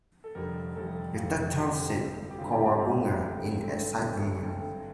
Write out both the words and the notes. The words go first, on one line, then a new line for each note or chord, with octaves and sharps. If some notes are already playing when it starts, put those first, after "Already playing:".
The turtles said "cowabunga" in excitement.
A4
F1 F2 D3 G3 A#4
F1 F2 D3 G3 A4
F1 F2 D3 G3 F4
F1 F2 D3 G3 G4
G1 G2 D3 G3 C4
G4
G1 G2 D3 G3 C4 F4
G4
G4
G1 G2 D3 G3 C4 F5
G1 G2 D3 G3 C4 G5
G1 G2 D3 A3 C4
G1 G2 D3 A3 C4
G1 G2 D3 A3 C4 G5